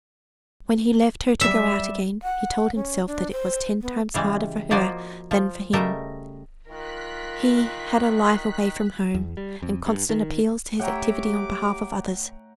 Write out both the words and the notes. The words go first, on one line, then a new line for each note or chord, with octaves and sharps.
When he left her to go out again, he told himself that it was ten times harder for her than for him: he had a life away from home, and constant appeals to his activity on behalf of others.
G3 E5
F#5
C#4
D4
C5
B3
C#3 E3 G3 G#3
F3 A#3 F#4 D5 D#5
F3
C#3 G3 A3 A#4 D#5 E5
D#3 F4 A#4 F#6 B6
E2
G3
F2
G2
D#3
A3 G4 C#5 E5 F#5 G5 A#5 D6